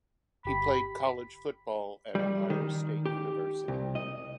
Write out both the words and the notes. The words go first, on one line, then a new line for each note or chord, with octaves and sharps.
He played college football at Ohio State University.
G1 G4 B5
G3
D#3
G4
C2
D#5